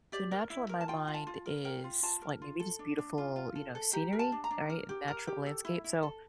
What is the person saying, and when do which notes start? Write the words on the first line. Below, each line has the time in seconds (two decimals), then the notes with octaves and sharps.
So, natural in my mind is, like, maybe just beautiful, you know, scenery, alright, and natural landscape. So,
0.12 G4 D5
0.31 A#4
0.50 E4
0.69 A#4
0.81 A5
0.88 F4 G5
1.08 F4
1.14 A5
1.27 F4
1.46 A#4
1.65 A#4 G5
1.84 F4
2.03 F4 A5
2.22 A#4
2.42 F4
2.60 A4
2.79 D4
2.98 D4
3.18 F4
3.36 F4
3.55 A4
3.75 A4
3.93 G4 A#5
4.13 A#4
4.19 A5
4.32 D4
4.44 A#5
4.51 D4
4.69 A#4
4.89 G4
5.08 A#4
5.27 G4
5.46 A4
5.65 E4
5.84 E4
6.03 A4